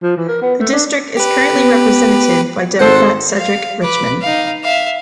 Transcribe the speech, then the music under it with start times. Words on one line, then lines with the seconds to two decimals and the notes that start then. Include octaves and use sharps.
The district is currently represented by Democrat Cedric Richmond.
0.03 F3
0.17 E3
0.28 A#4
0.42 B3
0.60 A3
0.73 D4
1.17 G4 B4
1.56 B3
2.79 G#1 A4 C5 F#5
3.37 F5
3.82 B4 D6
4.22 D#4 F5
4.64 E5 F5